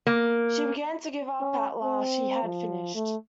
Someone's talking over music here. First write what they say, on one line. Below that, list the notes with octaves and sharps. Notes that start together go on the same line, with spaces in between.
She began to give up at last; she had finished.
A#3
C#4
C4
F3
A3